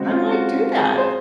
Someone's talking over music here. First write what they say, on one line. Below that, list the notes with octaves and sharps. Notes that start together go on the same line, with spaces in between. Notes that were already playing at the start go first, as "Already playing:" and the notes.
I might do that.
Already playing: C#3 G#3 C4 F#4
F4
F#4
G#4
C5